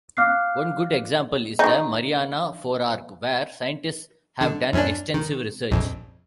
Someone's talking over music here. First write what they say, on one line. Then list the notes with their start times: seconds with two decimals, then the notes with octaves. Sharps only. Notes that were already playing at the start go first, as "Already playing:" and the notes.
One good example is the Mariana forearc, where scientists have done extensive research.
0.17 F5 D6 F6 F#6 C7
1.59 D#3 D#4
4.41 D3
4.73 F#2 C#4 D4
5.14 D#3
5.71 A#1 F2